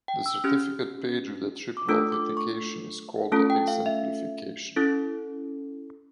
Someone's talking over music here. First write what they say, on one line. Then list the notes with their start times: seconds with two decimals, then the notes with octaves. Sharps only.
The certificate page with the triple authentication is called the exemplification.
0.08 G5
0.26 E6
0.44 C#4 G4 F6
1.77 D6
1.89 A3 D4 F4 A4 E6
2.12 D6
2.37 C#6
3.32 A3 C#4 F4 A4 A5
3.50 G5
3.68 F5
3.86 E5
4.76 C#4 E4 A4